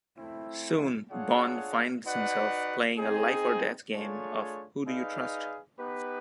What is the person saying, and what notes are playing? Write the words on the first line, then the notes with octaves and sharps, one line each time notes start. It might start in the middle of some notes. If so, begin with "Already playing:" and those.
Soon, Bond finds himself playing a life-or-death game of Who do You Trust?
A3 C4 E4
D4 F4 G#4 C#5 F#5
D#4 F#4 B4 D5 F#5
C4 D#4 G#4
A3 D4 F4 G#4 C#5
D#4 G#4 B4 D5 F5
B3 D#4 G4 B4